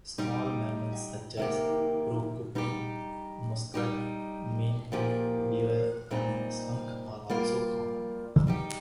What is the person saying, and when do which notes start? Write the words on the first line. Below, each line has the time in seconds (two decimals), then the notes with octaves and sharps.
Small mammals such as the porcupine, muskrat, mink, beaver and skunk are also common.
0.18 G3 D#4 G4
1.37 C3 D#3 A#3 G4
2.55 G3 D#4 G4
3.74 G3 D#4 G4
4.92 A#2 F3 A#3 G4
6.11 A#2 G3 C4 D#4
7.29 G3 A#3 F4
8.47 G3 D#4 G4